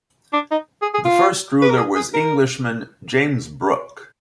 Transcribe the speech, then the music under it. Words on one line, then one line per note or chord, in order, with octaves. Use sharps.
The first ruler was Englishman James Brooke.
D4
D#4
G#4
G#4
F4
B4
A#4
G#4
G#4
A#4